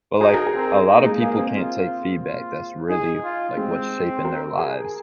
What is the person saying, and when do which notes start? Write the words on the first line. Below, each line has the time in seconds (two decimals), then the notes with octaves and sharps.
but, like, a lotta people can't take feedback that's really like what's shaping their lives,
0.21 D#4 G#4
0.34 A#4
0.47 G#4
0.55 C4
0.87 D#4
0.95 A#3
1.05 G#3
1.21 A#3 G#4
1.38 C4
1.55 F4
2.23 F4
2.89 D#4 G#4
3.24 F4
3.57 G#3 C4
4.25 A#4
4.59 G#4